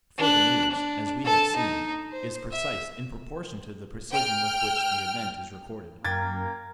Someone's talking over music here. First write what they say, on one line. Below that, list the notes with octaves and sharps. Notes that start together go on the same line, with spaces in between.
For the news, as we have seen, is precise in proportion to the precision with which the event is recorded.
D4 F#6
D4
A4 A5
D#4
C5
E5
G5 F6
F#2 A#3 G5 G#6 A6